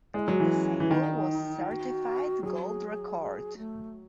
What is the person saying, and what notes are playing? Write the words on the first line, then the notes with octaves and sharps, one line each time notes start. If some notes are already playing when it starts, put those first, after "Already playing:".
The single was certified gold record.
G#3 E4
F#3 G#3
E3 A3
C#4
E3
D#3 D#4
F#4
F#3 G#4
G#4
G#4
A3